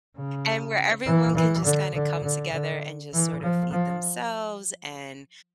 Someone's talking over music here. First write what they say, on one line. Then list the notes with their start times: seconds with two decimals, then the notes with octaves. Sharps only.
And where everyone can just kinda come together and just sorta feed themselves, and
0.16 C#3
1.06 E3
1.35 E3
1.65 D3
1.94 D3
2.24 D3
2.53 D3
3.13 E3
3.42 F3
3.72 F3